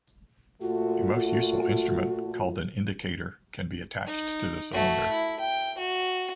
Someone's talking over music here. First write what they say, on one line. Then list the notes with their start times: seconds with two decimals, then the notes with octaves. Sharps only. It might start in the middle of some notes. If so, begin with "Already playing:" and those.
A most useful instrument, called an indicator, can be attached to the cylinder.
0.61 A#2 A3 F4 F#4
4.07 D#4
4.72 A3 F#4
5.09 E4
5.40 G5
5.78 F#4